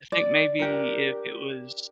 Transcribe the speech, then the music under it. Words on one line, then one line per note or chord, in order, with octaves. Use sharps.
I think maybe if it was
D5
D4 G4 A#4